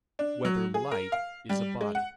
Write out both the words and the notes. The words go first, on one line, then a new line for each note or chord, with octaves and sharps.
Whether Light Is a Body?
D4
F#3
G#4
A#4
F5
G3
G#3
F#5